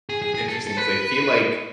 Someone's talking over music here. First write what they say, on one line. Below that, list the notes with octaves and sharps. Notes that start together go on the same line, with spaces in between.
interesting 'cause I feel like
G#4
G#4
G#4
A4
A4
B4